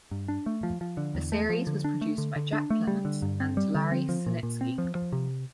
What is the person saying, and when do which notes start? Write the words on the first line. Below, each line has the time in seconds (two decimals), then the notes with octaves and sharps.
The series was produced by Jack Clements and Larry Sanitsky.
0.11 G2
0.28 D4
0.46 A3
0.63 F3
0.81 F3
0.97 D3
1.15 E2
1.32 A3
1.49 F3
1.67 D3
1.84 D4
2.01 A3
2.18 D3
2.36 D3
2.53 D4
2.70 A3
2.88 G3
3.05 D3
3.22 G2
3.40 C4
3.57 G3
3.75 D3
3.91 C4
4.09 F3
4.26 A#2
4.43 A#2
4.61 C4
4.78 F3
4.95 F3
5.12 C3